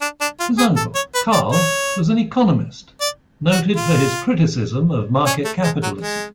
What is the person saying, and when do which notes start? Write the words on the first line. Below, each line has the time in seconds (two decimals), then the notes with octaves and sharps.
His uncle, Karl was an economist, noted for his criticism of market capitalism.
0.01 D4
0.21 D4
0.40 F4
0.58 G#4
0.76 A4
0.95 C#5
1.15 B4
1.32 D5
1.52 C#5
3.01 D5
3.51 F#4
3.76 F4
5.26 C#4
5.45 A3
5.63 G#3
5.83 F#3
6.01 G#3